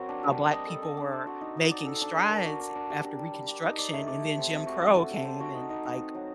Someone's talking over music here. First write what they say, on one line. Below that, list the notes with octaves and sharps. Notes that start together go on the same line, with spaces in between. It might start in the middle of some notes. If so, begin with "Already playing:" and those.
uh, black people were making strides, eh, after Reconstruction, and then Jim Crow came and, like,
Already playing: F#3 C4 F#4 A#4
D4
G3
G3
D#5
A4
D4
D4
C5
F#4
D#4
D#4
D5
A4
D4
D4
A#4
F#4
D4
D4
G4
D4
G3
G3
G4
D#4
D5
A3
D5
G4
C4
C4
F#4
D4
A4
G3
C5
F#4
D#4
D#4
D#4
C4
F#3